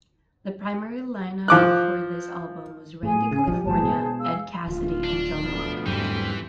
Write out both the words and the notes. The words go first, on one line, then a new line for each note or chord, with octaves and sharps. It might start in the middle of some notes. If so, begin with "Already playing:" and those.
The primary line-up for this album was Randy California, Ed Cassidy and John Locke.
F3 D6 F#6
A2 G#4 G#5
C#3
A#1 F3 D4 G4
G1 A2 F#3 G#4 C5 A5
B2 G#3
G#4 F5 E6
D1 F4
D4
D2 B2 F3
E2 G#2 E3 F#3 G3 C4 G4